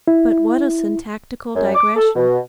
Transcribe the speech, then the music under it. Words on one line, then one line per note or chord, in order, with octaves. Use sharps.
But what a syntactical digression!
E4
F#2
D6
A4
B2